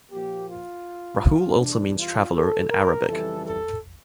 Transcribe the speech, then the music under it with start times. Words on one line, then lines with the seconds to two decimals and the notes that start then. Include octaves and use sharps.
Rahul also means "traveler" in Arabic.
0.11 A#2 F3 A#3 G4
0.48 F4
1.60 E2 E3 G3 D4
1.97 F4
2.34 A4
2.70 A#4
3.08 F2 C#3 E3 G3 A4
3.44 A4